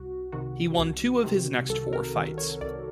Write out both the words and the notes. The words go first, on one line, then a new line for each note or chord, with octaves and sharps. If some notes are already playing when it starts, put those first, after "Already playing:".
He won two of his next four fights.
Already playing: C2 F#4
C3 D#3 F#4
C2
C3 D#3
C2 A4
A#4
C3 D#3
C#5
C2 D5